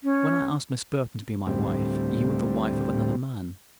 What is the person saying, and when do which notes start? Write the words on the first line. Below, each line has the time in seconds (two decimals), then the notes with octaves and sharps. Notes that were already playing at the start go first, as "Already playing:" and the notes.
When I asked Miss Burton to be my wife you were the wife of another man.
0.03 C#4
1.47 D2 A2 G3 C4